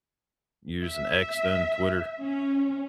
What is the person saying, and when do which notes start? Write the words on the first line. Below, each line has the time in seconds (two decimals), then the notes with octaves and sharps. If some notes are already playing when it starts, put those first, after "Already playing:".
using X, then Twitter.
0.84 E5
2.20 C#4